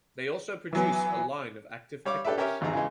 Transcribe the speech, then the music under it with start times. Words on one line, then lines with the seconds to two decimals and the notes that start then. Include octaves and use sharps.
They also produce a line of active pickups.
0.73 E3 F#3 B3 G#5
2.05 G3 C#5 F5 D6
2.25 D4 G4 A4 B4 D5 E5
2.38 C#4 G4 A#4 C#5 E5
2.61 G#1 E2 G#2 D#4 G#4 A#5
2.73 C#3 E3 G#3